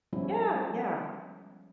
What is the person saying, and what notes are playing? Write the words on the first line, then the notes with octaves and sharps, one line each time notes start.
Yeah, yeah,
F3 G3 G#3 B3 C#4 E4